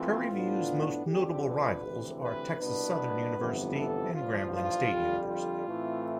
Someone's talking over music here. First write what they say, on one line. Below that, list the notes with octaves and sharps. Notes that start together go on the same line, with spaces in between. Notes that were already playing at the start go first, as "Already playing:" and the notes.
Prairie View's most notable rivals are Texas Southern University and Grambling State University.
Already playing: F2 E3 A3 C4 F4
A2 F3 B3 D4
F2 D3 F3 C4 G4
B4
D2 C3 E3
B4
C2 B2 B3 D4 B4
G1 F2 C3 E3 B3
A4
A1 G2 F3 F4
F4
F2 D3 G3
F4
A2 E3 A3 C4